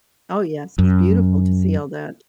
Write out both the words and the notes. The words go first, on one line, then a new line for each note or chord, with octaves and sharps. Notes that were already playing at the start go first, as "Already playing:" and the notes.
Oh yes, it's beautiful to see all that.
F#2